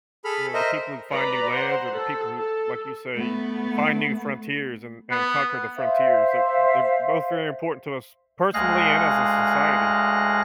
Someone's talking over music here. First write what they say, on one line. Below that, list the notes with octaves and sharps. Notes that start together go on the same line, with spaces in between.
you know, the people who find new lands, or the people who like you say, find new frontiers an and conquer the frontiers, they're they're both very important to us personally, and as a society.
G#4 A4 B5 F6
A#4 C5 D#5 E5
B4 D5 A#5
C5 F#5
A4
A4
A3 B3
B3
C5 E5 F5
D2 G#3 G#4 F5 F#6 A#6